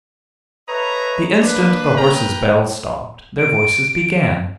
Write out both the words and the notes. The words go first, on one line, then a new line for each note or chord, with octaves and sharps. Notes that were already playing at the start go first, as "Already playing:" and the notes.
The instant the horses' bells stopped, their voices began.
A4 B4 C#5 D#5 E5 A#5
A#3 D4 B4
G3 A#3 A#4 B4 G5 A#5
D7